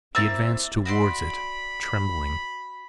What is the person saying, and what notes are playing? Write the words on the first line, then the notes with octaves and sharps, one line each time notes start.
He advanced towards it trembling.
A#3 C4 E4 E6 A6
F#4 D5 B5 C6